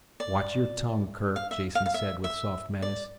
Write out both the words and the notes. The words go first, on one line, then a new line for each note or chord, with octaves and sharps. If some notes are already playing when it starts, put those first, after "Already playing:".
"Watch your tongue, Kerk," Jason said with soft menace.
D5
F5
E5
F5
F5
E5
E5
D5